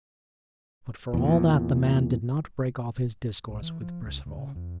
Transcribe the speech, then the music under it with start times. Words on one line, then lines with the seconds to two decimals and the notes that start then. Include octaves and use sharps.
But for all that, the man did not break off his discourse with Perceval.
1.14 E2 A#2
3.50 A#1
3.63 E3
3.82 F3
4.05 C#2
4.26 D2
4.38 C#3
4.56 F2